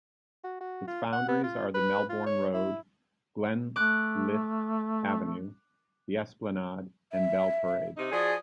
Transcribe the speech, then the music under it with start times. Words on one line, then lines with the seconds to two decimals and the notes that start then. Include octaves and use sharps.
Its boundaries are the Melbourne Road, Glenleith Avenue, The Esplanade and Bell Parade.
0.44 F#4
0.61 F#4
0.88 F4
1.13 F#5
1.28 B3
1.44 F4
1.75 B4
2.10 F4
2.26 C#5
2.54 E4
3.76 A3 D6 F#6
7.12 E5
7.97 C3 D#4
8.12 F3 F#4 G#4 D5